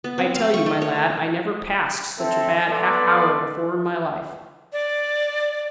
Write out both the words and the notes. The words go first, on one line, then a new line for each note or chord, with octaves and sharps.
I tell you, my lad, I never passed such a bad half-hour before in my life.
B3
C4
F5
C#6
A3
C#5
C4 A4 E5
B3 A4 B4 D5 C6 D6
D5